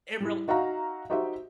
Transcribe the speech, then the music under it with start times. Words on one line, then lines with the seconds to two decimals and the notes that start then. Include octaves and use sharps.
it real
0.20 G3 E4
0.48 D#4 F#4 E5 F5 A#5
1.10 D#4 F#4 G4 C5 D#5 E5